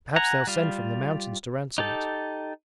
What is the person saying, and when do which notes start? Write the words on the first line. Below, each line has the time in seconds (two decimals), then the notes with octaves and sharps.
Perhaps they'll send from the mountains to ransom it.'
0.16 F#5 G#5 A#5
0.47 G3 F4
1.78 D#4 G4 A4